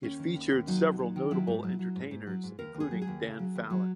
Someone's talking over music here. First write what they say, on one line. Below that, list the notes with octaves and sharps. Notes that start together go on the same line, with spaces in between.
It featured several notable entertainers, including Dan Fallon.
D#2 C#4
D#3
D#2
D#2
F#3 D#4
D#2
F#3
D#3
F#3 E4
G#2
F#3
F#3
G#2
G#2
F#3
G#2
D#2 A#4
D#2
G#4
F#3
G#4
D#2
C#3
F#3
D#2
F#3